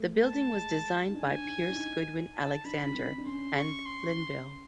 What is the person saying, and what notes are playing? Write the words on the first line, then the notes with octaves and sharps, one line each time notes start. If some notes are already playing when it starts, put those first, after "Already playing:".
The building was designed by Pierce Goodwin Alexander and Linville.
Already playing: A3
A5
G#3
D#4
D4 G#5
D#4
E4
D4
D#4
A5
D4 B5
C#4
C4
D4
C#4 C6
C#6
C6